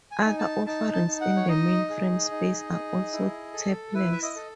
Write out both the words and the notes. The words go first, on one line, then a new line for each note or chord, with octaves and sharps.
Other offerings in the mainframe space are also "tapeless".
G#5
D#4
A5
D#4 A5
A5
D#4
F#5
C#5
D#4 D#5
G#4
D#4
G#4
E4
A4
E4 B4
E5
D#5
A4